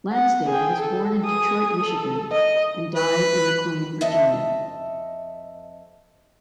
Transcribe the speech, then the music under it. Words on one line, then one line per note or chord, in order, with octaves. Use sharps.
Lansdale was born in Detroit, Michigan and died in McLean, Virginia.
F#5
G#4 G5
A4
G#4 D#6
A4
D#5
B4
F2 A4 D#5 E5